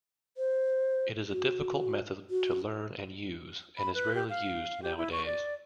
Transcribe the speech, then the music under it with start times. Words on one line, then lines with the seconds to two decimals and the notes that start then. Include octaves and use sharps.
It is a difficult method to learn and use, and is rarely used nowadays.
0.37 C5
1.31 F#4
2.30 F#4
3.77 B5
3.94 B4
4.15 G4
4.30 F5
4.82 G4
4.97 E4
5.12 C#6
5.25 D5